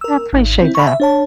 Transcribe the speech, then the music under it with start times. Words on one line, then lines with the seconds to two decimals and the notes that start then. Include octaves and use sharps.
I appreciate that.
0.01 A#4 E6
0.33 G#1
0.62 C4 E4
0.75 B5 C#6
0.87 E5
1.00 D4 C#5 A5